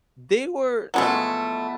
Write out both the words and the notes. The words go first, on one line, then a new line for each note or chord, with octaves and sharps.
they were,
B2 F3 F#3 G#3 A3 E4